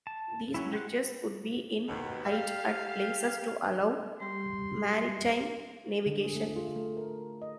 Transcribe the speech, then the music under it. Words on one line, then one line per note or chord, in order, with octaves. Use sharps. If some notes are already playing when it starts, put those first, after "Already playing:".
These bridges would be in height at places to allow maritime navigation.
A5
F#3 C#4 E4
G4 C5 F#5 F#6
D#2 B2
G4 A4 F5
G3 G4 C6
D3
G#4
A3
F4
A3
A#4
D#5